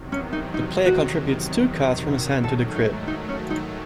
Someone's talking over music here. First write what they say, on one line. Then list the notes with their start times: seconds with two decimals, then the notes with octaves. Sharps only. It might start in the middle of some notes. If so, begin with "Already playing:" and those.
The player contributes two cards from his hand to the crib.
Already playing: E2 C3 D#3 F#3
0.12 C#4
0.33 D#4
0.54 D#4
0.86 F#4
2.44 G#2 D#3 F#3 A3 A4
2.76 D#4
3.07 D#4
3.29 C#4
3.50 D#4